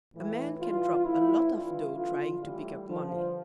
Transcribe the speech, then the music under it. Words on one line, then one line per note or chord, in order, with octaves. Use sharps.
A man can drop a lot of dough trying to pick up money.
A2 E3
G2 E3 F4
A2 E3 E4
G2 E3 F4
F2 D3 F4
A2 E3 G3
G2 D3 F3